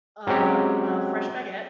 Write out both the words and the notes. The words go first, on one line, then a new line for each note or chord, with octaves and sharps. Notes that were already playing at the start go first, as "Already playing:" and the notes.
a a fresh baguette,
F#3 G#3 C4 C#4 G4